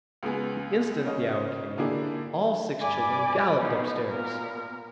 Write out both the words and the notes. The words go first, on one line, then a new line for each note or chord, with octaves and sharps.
The instant the hour came, all six children galloped up stairs.
C#2 G#3 B3 G#4
C#3 C#4 D#5
D3 A#3 D4 E4 G4 G#4
G2 D5 G#5 B5 D6
B2 B3 D#4
A#2 B3 A#4